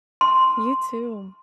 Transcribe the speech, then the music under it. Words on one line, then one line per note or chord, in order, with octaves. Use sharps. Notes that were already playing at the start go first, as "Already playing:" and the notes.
You too.
C6